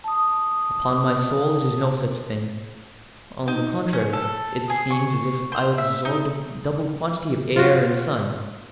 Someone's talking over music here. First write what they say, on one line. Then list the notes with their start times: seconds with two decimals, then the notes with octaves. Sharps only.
Upon my soul, it is no such thing, on the contrary, it seems as if I absorbed a double quantity of air and sun.
0.04 A5 D#6
3.48 D#4
3.93 C#4
4.13 A4
4.70 G#4
4.91 C#6
5.52 C5
5.78 E5
6.05 D#4
7.56 F4 F#4